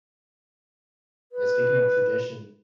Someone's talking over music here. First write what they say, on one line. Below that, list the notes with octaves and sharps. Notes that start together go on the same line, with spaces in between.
eh, speaking of tradition,
B4